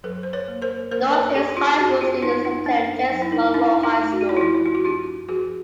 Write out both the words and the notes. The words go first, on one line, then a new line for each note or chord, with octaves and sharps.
North Hills high school students attend James Monroe High School.
F#3 A4 B4
C5
B4 C#5
A#3
A#4 C5
A#3 A#4 C5
B4 C#5
C#4 G4 A4
F4 G4
C#4 F#4 G#4
F4 G4
C#4 D#4 F4
D#4 F4
A#3 D4
F#3 D#4
E4
D#4
D4 E4
D#4 F4
A3
F#4
G4
E4 F#4
F4
F3 E4 F#4
E4
F4
F#4
D4 F4 G4
F3 F#4 G#4